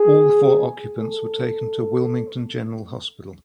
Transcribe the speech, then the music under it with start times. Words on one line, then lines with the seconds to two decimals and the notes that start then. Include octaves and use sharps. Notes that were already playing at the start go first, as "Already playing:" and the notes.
All four occupants were taken to Wilmington General Hospital.
Already playing: G#4
1.00 A4